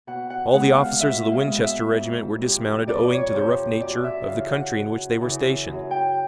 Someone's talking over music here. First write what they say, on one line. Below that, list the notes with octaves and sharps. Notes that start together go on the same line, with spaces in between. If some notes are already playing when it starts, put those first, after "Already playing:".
All the officers of the Winchester regiment were dismounted owing to the rough nature of the country in which they were stationed.
B2 F#5
F#5
G#3 B3 F#5
F5
B2 E5
F5
G#3 B3
E5
F2
C3 F3
F2 D5
C#5
C3 F3 C5
F#2 D5
E5
C#3 E3 F5
F#5
F#2
C#3 E3
F#2
G5